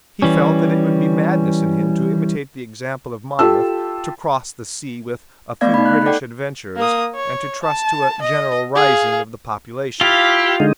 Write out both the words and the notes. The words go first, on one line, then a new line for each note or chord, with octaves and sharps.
He felt that it would be madness in him to imitate the example of Monmouth, to cross the sea with a few British adventurers, and to trust to a general rising of the population.
E3 G3 C#4
F4 G4 A4 A5 E6
A3 B3 D5 F5 G#6
D#4 B5
F#6
A4 D5 F#5 G5
A#3 D#6
C#5
A5
D#5
G#4 F5
E4 F4 G4 F5
D3 G#3 D#4